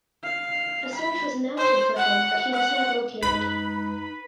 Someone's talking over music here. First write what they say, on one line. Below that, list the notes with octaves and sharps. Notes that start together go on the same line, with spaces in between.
A search was mounted for him but he was not located.
F5
B5
C5
F#5
F#5
F#2 G#3 D#4 B4 B5